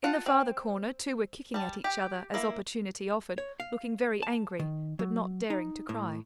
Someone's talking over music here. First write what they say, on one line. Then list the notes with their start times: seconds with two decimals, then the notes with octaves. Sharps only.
In the farther corner two were kicking at each other as opportunity offered, looking very angry, but not daring to cry.
0.04 F4 F#5 A5
0.26 C4
1.54 G3 A5
1.84 G4
2.34 A#3 E4
3.38 C#5
3.60 F5
4.23 A5
4.59 D#3
4.99 F#3
5.50 D#4
5.89 A2